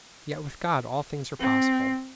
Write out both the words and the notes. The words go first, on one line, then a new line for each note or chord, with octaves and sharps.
Yet with God all things are possible.
C4